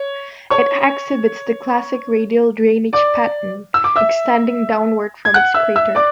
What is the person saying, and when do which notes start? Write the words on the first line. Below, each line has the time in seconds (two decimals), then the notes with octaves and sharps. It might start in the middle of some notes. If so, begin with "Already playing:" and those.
It exhibits the classic radial drainage pattern, extending downward from its crater.
Already playing: C#5
0.50 C#5 C#6
2.93 D5 D6
3.74 E6
3.84 D6
3.96 E5 E6
5.25 G#6
5.34 F#5 F#6
5.54 E5 E6
5.75 E5 E6
5.95 D5 D6